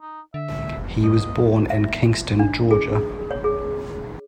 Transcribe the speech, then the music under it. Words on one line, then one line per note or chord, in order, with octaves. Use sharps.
He was born in Kingston, Georgia.
D#4
D3 E5
F1
G2 D#5
E5
D4
G#4
C#5
G#4